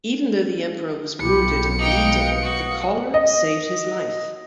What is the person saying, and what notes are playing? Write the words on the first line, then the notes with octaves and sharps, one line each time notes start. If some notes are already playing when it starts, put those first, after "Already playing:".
Even though the Emperor was wounded and bleeding, the collar saved his life.
B1 F4 G4 B5 C#7
D#4 B4 F5 G5 D#6
F#4
D#5